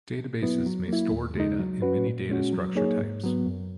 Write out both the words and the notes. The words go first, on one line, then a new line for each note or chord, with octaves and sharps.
Databases may store data in many data structure types.
B2
F#3 B3 E4
F#3
A#3 E4
D#2
C#3 G#3 D#4
F#3
C#4 F#4 B4
A#2
G#3 C#4 F#4
F#3
A#3 D#4 G#4 C#5
G#2
F#3 B3
F#2